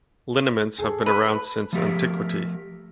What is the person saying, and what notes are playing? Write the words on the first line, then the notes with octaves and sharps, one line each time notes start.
Liniments have been around since antiquity.
G#4 A4
B4
F3 A3 G4 A#4